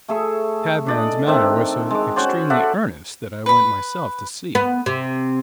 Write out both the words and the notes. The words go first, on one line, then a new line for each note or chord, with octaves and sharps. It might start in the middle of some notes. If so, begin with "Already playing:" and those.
The cabman's manner was so extremely earnest that I went myself to see.
A3 G#4 E5 C#6
D4 D5 D#5
D#3 C4 D4 E5
G#3 D6
C#4 F#4 C5 D5
A4 D5 E5 F#5
B4 B5
B3
C3